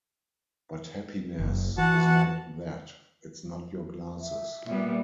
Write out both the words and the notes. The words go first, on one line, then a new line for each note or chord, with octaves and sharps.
But happiness is not that, it's not your glasses.
F#1
E3 F#4 F#5 A5
E5
A#2 G3 B3